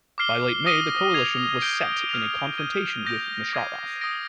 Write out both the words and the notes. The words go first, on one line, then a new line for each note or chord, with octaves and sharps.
By late May, the coalition was set in a confrontation with Musharraf.
D6 F6 C7 G7
D#6 A#6 D#7 G7
G#6 C7 F7
G6 D7 G7
F6 A#6 F7
D6 G#6 D#7 G7
D6 G6 A#6 D7 F7
D6 G#6 C7 D#7
D#6 A#6 D7